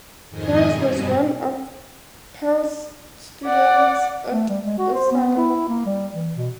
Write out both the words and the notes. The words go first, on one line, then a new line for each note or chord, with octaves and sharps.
Price was one of Perls's students at Esalen.
F2 G#2 D#3 D#5 G#5
G2 B2
D5 F#5
A3
G3
G#3
F#4
C5
B3
E4
A#3
G3
E3
B2